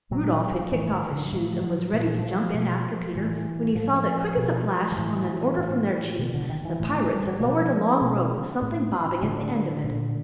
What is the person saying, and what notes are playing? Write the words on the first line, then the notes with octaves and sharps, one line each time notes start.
Rudolf had kicked off his shoes and was ready to jump in after Peter, when he saw that quick as a flash, on an order from their Chief, the pirates had lowered a long rope with something bobbing at the end of it.
A#2 F#3
F#3
F3
A2 E3
D#3
D3
F#3
A2 F3
F#3
A#2 F3
E3
F3
B2
A2 E3
A2 F3
B2
F3
A2 E3
A2
B2 D#3
D3
D#3
E3
A2
G3
F#3
B2 F3
B2
A2
A2 D3
A#2